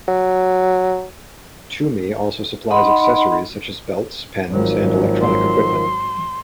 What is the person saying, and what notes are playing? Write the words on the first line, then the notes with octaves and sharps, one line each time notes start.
Tumi also supplies accessories such as belts, pens, and electronic equipment.
F#3
D#4 D#5 F#5 B5 C6
G#1 D#3 F3 F#3
C6